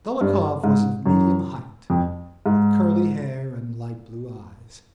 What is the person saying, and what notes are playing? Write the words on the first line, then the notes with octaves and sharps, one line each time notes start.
Dolokhov was of medium height, with curly hair and light-blue eyes.
G2
G#2
F#2
F2
G#2